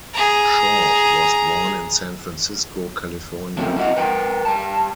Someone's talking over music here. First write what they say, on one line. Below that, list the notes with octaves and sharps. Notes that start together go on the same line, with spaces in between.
Shaw was born in San Francisco, California.
G#4 A#5
C#3 F3 F#3 A3 A#3 C4
E4 F#4 D#5 E5 F#5
A#4 B4 G5
G3 A5